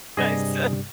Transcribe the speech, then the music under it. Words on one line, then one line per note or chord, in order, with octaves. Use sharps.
I said,
G2 C3 G3 G#4 D#5